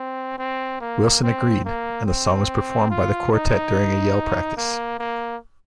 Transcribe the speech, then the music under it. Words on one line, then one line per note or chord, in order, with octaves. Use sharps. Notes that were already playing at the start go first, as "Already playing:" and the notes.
Wilson agreed, and the song was performed by the quartet during a yell practice.
Already playing: C4
C4
A#3
C4
A#3
C4
F4
D#4
A#3
A#3